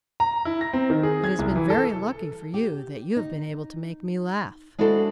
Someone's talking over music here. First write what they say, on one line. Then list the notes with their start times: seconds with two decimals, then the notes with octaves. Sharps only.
'It has been very lucky for you that you have been able to make me laugh.
0.20 A#5
0.45 E4
0.61 A#6
0.73 C4
0.90 D#3
1.03 G#4
1.24 G#6
1.39 C2
1.56 E3
1.70 A4
2.54 G4
3.16 D#4
4.79 G#3 D4 E4 F#4 A4 C5